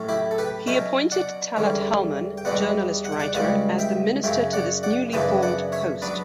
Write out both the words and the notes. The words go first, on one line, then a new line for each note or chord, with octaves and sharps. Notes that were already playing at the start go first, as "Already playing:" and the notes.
He appointed Talat Halman, journalist-writer, as the minister to this newly formed post.
Already playing: A2 F#3 C#4
E4 G4
A4
G4 B4
B2 F#3 C#4 E5 G5
D5 F#5
E2 D3 G3 C#4
G5
E2 B2 G3 B3 D5 F#5
F#5
G5
D5 F#5
C#2 C#3 G3 D5 F#5
E5 G5
F#2 C#3 F#3 E5 G5
D5 F#5
D5 F#5
F#2 C#3 E3 B3 D4 E5 G5
D5 F#5
C#5 E5
F#3 B3 D4 B4 D5